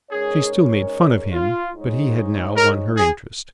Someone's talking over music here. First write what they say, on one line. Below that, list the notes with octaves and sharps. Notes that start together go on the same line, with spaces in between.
She still made fun of him, but he had now won her interest.
G#2 G#3 C#4 G#4 A#4 C#5
F4
G#2 G#3 D#4 C#5
A#4
G#4